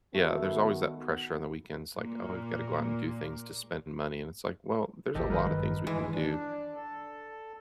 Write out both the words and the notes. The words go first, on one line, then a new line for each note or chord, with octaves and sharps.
Yeah, there's always that pressure on the weekends, like, "Oh, we've gotta go out and do things to spend money," and it's, like, well, there's a lot of things we can do
D#3 A3 B3 F#4
A#2 A#3
D#1 A1 G4 A4 D#5
A1 D#3 G3 A#4 B4 D#5
G2
D#3 E3 G#3
D4
A4